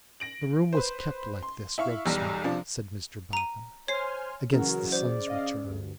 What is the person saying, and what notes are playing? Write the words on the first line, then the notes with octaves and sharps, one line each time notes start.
'The room was kept like this, Rokesmith,' said Mr Boffin, 'against the son's return.
A#6 D7 F#7
B4 C5
C6
E4 E5 F5 C#6
B1 E2 G3 E6 A#6
C3 F3 D4
A#5 D#7
C5 C#5 G#5 C6 F6 C7
C#3 E3 F#3 F#4 A#4
C5 D5
D#5 F5
D2 G2